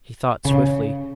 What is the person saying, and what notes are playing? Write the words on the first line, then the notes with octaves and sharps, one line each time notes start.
He thought swiftly.
C#3